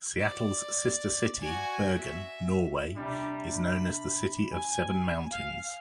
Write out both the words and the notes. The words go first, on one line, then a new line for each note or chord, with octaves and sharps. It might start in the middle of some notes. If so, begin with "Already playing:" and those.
Seattle's sister city, Bergen, Norway, is known as the City of Seven Mountains.
D5
F#4 G#5
E5
C3 G3 D4
B5
G#5
F5